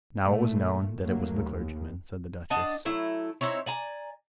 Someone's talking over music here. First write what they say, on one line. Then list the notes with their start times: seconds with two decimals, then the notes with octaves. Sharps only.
"Now it was known that it was the clergyman," said the Duchess.
0.24 A#2 A3
1.01 G2 F#3 A3 A#3
1.33 D#2
2.50 D4 D#5 F#5 A5
2.85 F#3 A3 E4
3.41 C4 D#4 E4 C#5
3.66 D5 G#5 A#5